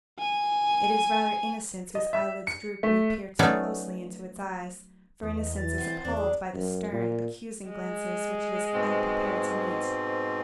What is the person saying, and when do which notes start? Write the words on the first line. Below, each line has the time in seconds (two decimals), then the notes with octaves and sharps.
It is rather innocence whose eyelids drop when you peer too closely into its eyes, for innocence is appalled by the stern, accusing glances which it is unprepared to meet.
0.19 G#5
1.95 D#5
2.13 E5
2.47 C#7
2.83 A3
3.39 F#3 A3 B3 C#4 D#4 D5
5.22 E2 D#6
5.37 D#5
5.57 E3 A6
5.78 B3 C4
6.05 E2 C4 D4
6.17 G#4
6.54 F#2
6.92 A#2
7.69 G#3
8.74 G#2 B2 C4